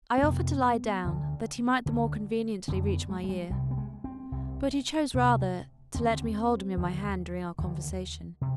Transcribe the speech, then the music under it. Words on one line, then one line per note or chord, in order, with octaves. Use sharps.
I offered to lie down that he might the more conveniently reach my ear, but he chose rather to let me hold him in my hand during our conversation.
C4
F2 C3 B3
D2 D3
D2 D3
F2 D3 C4
B3
G#3
G#3
G3
C2 C3 G3
B3
G#3
C4
C2 C3
D2 C3
D#2 D3 C4
D#2 D3
D#2 D3
C3